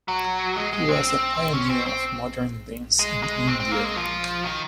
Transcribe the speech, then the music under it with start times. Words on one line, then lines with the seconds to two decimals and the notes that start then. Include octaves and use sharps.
He was a pioneer of modern dance in India.
0.08 F#3
0.56 G#3
0.73 G#3
0.89 C4
1.53 C#4
1.70 C4
1.86 C4
2.99 G#3
3.23 G#3
3.47 C4
3.60 C4
3.72 A#3
3.84 G#3
3.96 F3
4.45 D#3